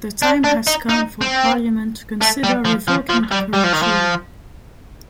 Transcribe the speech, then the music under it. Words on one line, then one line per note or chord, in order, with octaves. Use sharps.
The time has come for Parliament to consider revoking the current rule.
D4
D4
D#4
D#4
C4
A3
G3
F3
F3
F3
G3
G3
F3
D#3
F3